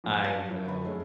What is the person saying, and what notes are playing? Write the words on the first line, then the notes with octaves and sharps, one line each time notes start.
I know.
A#1 F2 G#2
C#5 D5 F5 G#5 A5
F3 F#3 C#4 E4
D3 B4 B5
F#3 G#3 A3 C#4 E4